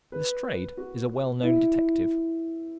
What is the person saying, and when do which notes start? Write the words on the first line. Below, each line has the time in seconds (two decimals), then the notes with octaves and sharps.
Lestrade is a well-known detective.
0.12 B4
0.77 F#4
1.43 E4